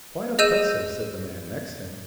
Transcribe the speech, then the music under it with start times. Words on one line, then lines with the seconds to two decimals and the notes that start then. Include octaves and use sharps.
"Quite oppressive," said the man next him.
0.39 G#4 D#5 E6 G6 D#7 E7